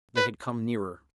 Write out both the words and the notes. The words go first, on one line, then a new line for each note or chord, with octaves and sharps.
They had come nearer.
B4